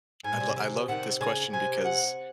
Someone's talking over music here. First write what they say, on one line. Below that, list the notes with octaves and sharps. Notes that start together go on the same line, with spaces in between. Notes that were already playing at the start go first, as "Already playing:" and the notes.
I lo I love this question because
G#2 G#5
A#2
C3
C#3
C3 D#3
C3 D#3 F#5
C#3 G#5
C3 G#5
F#5